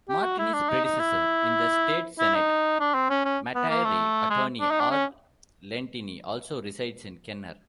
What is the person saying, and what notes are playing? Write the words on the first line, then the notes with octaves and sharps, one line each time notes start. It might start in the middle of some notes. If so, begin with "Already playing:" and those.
Martiny's predecessor in the state Senate, Metairie attorney Art Lentini, also resides in Kenner.
G4
F#4
E4
D4
D#4
D#4
E4
E4
D#4
D4
C4
C#4
C#4
B3
A#3
A3
G#3
D4
D#4
D4
C#4